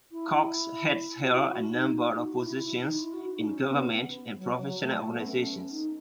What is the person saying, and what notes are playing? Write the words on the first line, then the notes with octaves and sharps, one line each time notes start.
Cox has held a number of positions in government and professional organizations.
E4
E4
F#4
E4
F#4
D#4
D#4
F#4
E4
E4
E4
D#4
E4
F#4
D#4
C#4
B3
F#3
F#3
A3
B3
C#4
D#4